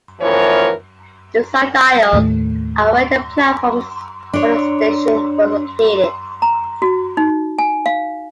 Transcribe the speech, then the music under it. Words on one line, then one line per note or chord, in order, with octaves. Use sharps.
The side aisles are where the platforms for the station were located.
D2 E3 F3 B3 A#4 C#5
D#2 A2 A3
D4 C#5
A#5
F#4
D#4
G#5
F5